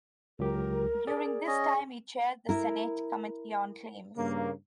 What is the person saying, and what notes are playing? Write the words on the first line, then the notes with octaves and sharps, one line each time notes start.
During this time he chaired the Senate Committee on Claims.
C#2 F#3 G4 A#4
G#4 D5
C#4 D#5
E4 A#4
G2 C#3 A#3